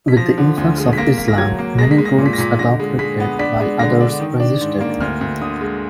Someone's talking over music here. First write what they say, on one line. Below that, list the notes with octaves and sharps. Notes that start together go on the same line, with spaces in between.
With the influx of Islam many groups adopted it while others resisted.
B6
F3 A#6
D3
D2
G#3
B6
A#3 A#6
A#3 B6
A#6
F#3 G#6
A#3
G#3 A#6
B6
G#3
A#6
A#2
B6
A#6
A#2 B6
D3 A#6
G#3
G#3 B6
B3
D4 B6
G#3
D3 A#6
D4
D#3
D4
G#2
A#3
D2 F6
D2
D3 D#6
G#3